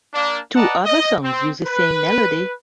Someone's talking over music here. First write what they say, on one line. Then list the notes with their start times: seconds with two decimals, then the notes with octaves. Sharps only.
Two other songs use the same melody.
0.14 A#3 D4
0.56 B4 D5 D#5 F#5 A5 A#5
0.85 D#5
1.23 C4
1.67 B4